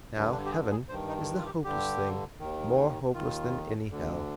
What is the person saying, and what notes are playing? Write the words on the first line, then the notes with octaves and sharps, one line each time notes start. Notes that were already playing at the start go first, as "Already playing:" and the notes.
Now, heaven is the hopeless thing, more hopeless than any hell.
G2 D3
D4
G4
G#4
G#4
G2 D#3 C5
D#4
F4
G4
G2 D3 G4
D#2 D#3
D#2 D#3 F4
D2 D3